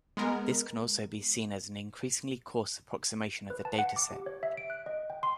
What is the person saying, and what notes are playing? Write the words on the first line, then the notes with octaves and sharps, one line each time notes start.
This can also be seen as an increasingly coarse approximation of the data set.
G#3 B3 A#4
B4
A5
F#5
D6
G4
C#5
E5
D7
F#6
D#5
G5
C6